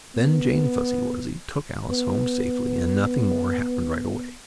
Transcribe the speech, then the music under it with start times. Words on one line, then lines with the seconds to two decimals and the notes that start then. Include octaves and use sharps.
Then Jane Fuzzy-Wuzzy took Alice home safely, and nothing more happened right away.
0.15 B3
1.88 B3